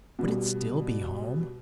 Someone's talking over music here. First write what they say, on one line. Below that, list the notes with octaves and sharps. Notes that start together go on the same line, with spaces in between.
Would it still be home?
B2 G3